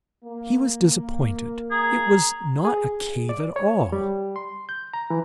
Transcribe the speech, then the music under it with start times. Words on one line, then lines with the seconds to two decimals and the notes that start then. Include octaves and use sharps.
He was disappointed; it was not a cave at all.
0.24 A#3
1.71 G#4 A#5
2.65 G#4
3.29 D5
3.56 C#5
3.92 G3
4.36 C6
4.69 G6
4.93 A#5
5.10 E3